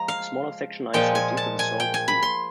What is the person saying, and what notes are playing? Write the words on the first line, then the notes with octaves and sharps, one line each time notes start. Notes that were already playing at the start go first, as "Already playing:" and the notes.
A smaller section lies southeast of Sault Ste.
Already playing: F3 G#3 A#5
F5
A#2 F3 G#3 G5
G#5
A5
G#5
G5
G#5
B5
C6